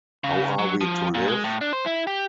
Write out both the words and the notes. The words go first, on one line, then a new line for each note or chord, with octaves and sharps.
How Are We to Live?
C#3
F#3
F3
A#2
G#3
A2
D4
C5
E4
G4